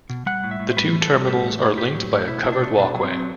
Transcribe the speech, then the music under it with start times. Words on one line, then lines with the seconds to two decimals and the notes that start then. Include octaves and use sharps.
The two terminals are linked by a covered walkway.
0.10 B2
0.26 G3 F#5
0.44 A2
0.51 E5
0.59 A2
0.71 C5
0.77 G3 B4
0.93 E3
1.01 A4
1.11 G3
1.27 A2 G4
1.44 A3
1.60 A2
1.78 A2 G4
1.94 F#3
2.11 A3
2.28 B2 E4
2.44 B2 E4
2.52 D4
2.61 A3
2.78 B2 D4
2.95 F#3
3.04 C4
3.11 F#3